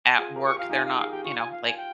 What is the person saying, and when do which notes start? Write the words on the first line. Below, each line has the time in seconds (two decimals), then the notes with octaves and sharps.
at work, they're not, you know, like,
0.18 F4 G#4 G#5
0.36 G4 A#4
0.44 C#6
0.53 G4
0.58 F4 F5
0.70 D#4 G4 G#5
0.85 F5
0.98 G#4 F5
1.11 G4 G5
1.24 F4 C#6
1.37 G#5
1.52 F5
1.64 G#5
1.77 G5